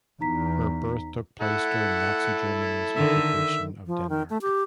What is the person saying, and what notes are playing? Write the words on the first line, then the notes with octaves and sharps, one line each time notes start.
Her birth took place during Nazi Germany's Occupation of Denmark.
E2 D#4 A#5 B6
E4 A4 F#5
D3 D#3 D#4 E5
F3
D#3
A3
G4